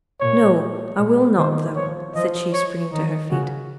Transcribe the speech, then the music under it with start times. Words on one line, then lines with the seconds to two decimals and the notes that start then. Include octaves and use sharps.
No, I will not, though,' said she, springing to her feet.
0.20 A#2 C#5
0.97 A#2
1.37 D#3 C5
1.76 F3 C#5
2.15 F3 D#5
2.53 C#5
2.92 D#3 D#4
3.31 C#3 F#4